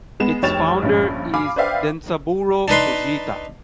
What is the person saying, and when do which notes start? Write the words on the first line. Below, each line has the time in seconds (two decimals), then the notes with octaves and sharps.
Its founder is Densaburo Fujita.
0.20 G#3 B3 E7
0.43 F1 C#5 G5 A6 E7 F7
0.82 A#1 G2 C#4
1.34 F5 G#5 B5 D6
1.56 B4 C5 D5 E5 F5 G5
2.68 D4 D#4 B4 C6